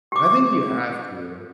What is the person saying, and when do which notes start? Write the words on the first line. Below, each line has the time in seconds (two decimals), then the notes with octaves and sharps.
I think you have to,
0.12 G4 D6